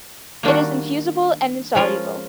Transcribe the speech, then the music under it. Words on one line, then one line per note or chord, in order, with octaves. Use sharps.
It is infusible and insoluble.
D#3 G3 A#3 D4 F#4
F3 G#3 C#4 F4 A#4